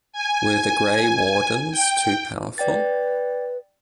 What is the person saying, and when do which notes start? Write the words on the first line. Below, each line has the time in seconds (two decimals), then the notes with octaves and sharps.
Were the Grey Wardens too powerful?
0.13 G#5
1.71 G5
2.58 B4 D5 G5 A6